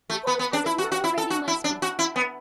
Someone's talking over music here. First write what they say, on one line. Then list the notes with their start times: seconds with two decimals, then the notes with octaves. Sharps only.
I was, as it were, orating my speech.
0.10 A3
0.27 B3
0.39 B3
0.53 D4
0.66 E4
0.78 F#4
0.92 F#4
1.04 E4
1.18 A4
1.30 F#4
1.48 E4
1.64 D4
1.82 F#4
1.99 E4
2.16 B3